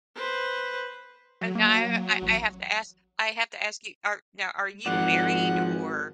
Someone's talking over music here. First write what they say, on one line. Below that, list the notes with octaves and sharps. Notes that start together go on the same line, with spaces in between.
And now I I have to ask I have to ask you. Are now, are you married? Or,
B4 C5
F#3
A#3
A1
G#1 F3 D5 F#5